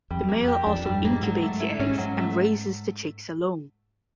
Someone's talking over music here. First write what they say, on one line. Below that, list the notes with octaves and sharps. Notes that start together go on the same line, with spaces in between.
The male also incubates the eggs and raises the chicks alone.
F2 G3
A#3
G4
F2 D4
G2 G3
G#2 A#3
G#2 F#3
A3
E4
G#2 C#4
F#3
A3